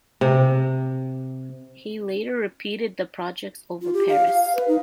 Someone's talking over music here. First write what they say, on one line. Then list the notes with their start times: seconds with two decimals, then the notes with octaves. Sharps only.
He later repeated the project over Paris.
0.21 C3
3.82 F4
3.94 G4
4.09 F5
4.27 F5
4.42 F5
4.55 B4
4.68 D#4